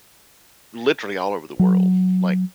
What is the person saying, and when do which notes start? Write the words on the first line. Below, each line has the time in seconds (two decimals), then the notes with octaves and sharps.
literally all over the world, like
1.59 F#3